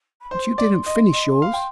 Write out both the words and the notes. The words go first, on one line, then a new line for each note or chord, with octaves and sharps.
But you didn't finish yours.
B5
C5 C6
D5
D#5
D#5
F5
G5